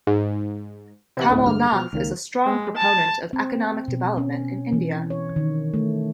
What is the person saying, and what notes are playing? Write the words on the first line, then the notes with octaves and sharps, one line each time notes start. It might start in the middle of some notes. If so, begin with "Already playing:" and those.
Kamal Nath is a strong proponent of economic development in India.
G#2
C3 E3 F#5
D2 A2
G2 D3 G#3 F6
B2 F3
C#2 D#3 A#3
G#3
A5
C4
B2
C#4
E3
C#5
D#3
A3